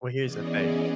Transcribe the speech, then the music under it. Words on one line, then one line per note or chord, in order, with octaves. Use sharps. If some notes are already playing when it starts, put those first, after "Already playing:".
Well, here's the thing
E3 B3 C#4 G#4 D5 D#5